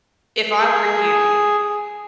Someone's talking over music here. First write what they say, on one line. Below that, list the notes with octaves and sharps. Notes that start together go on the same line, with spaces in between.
if I were you,
G#4